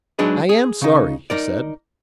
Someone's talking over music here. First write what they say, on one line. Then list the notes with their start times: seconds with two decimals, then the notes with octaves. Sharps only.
"I am sorry," he said.
0.19 F#3 G#3 D4 D#4 G#4 B4
0.49 G#4
0.81 C#3 D#4
1.30 D#4 A#4 D5